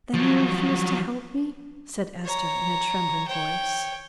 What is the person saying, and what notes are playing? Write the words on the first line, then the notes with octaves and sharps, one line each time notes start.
"Then you refuse to help me?" said Esther in a trembling voice.
F3 F#3
C#5 A#5
C#5 G5